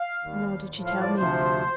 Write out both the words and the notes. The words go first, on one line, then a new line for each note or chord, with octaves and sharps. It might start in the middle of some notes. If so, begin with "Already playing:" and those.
"Nor did she tell me."
Already playing: F5
D#2 D#3 G3
A2 F3
F5
D5
D2 C3 F3 C5